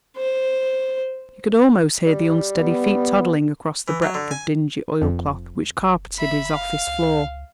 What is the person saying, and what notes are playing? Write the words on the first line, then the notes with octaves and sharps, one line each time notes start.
He could almost hear the unsteady feet toddling across the breadth of dingy oilcloth which carpeted his office floor.
C5
G3
B3
E3
F#3
D3
G#5
F1 F2
F#1
E5 B5
F5
C#2